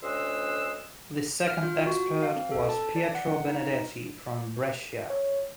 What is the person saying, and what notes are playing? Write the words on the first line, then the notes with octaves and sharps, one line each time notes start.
The second expert was Pietro Benedetti from Brescia.
D2 C#4 D#5 F#5 C6 E6
F6
F4
F#4
F5
C4
A4
A5
D5
F#5
D#4
C#5